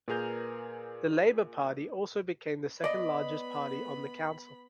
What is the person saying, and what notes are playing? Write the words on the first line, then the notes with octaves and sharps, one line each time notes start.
The Labour party also became the second largest party on the council.
A#2 G#4 A#4 B4 G6
B3 D5 D#5 B5